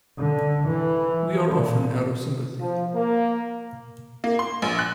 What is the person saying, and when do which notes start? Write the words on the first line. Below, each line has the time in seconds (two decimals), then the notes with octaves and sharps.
We are often out of sympathy.
0.18 D3
0.65 E3
1.53 A#2
2.59 F3
2.94 A#3
4.24 A#3
4.39 C6
4.62 A#1
4.79 F#6